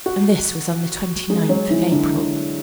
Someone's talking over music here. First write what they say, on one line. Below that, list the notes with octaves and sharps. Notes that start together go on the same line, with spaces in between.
And this was on the twenty-ninth of April.
F#4
G#3
F#3
E3
D3